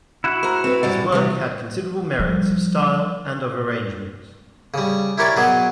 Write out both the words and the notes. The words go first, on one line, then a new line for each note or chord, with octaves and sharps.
His work had considerable merits of style and of arrangement.
E4 F#4 F#5
A#4 C5
C4 B4
F#2 G3 D5
C3 E3 G3
F3 G3
C#3 G3
E4 G4 A#4 C#5 D5 D6
B2 F#3 G#4